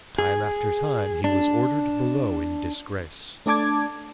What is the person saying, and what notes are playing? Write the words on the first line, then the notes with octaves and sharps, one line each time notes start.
Time after time he was ordered below in disgrace.
G#4
D4
A3 D4 D5 A5 D6 G#6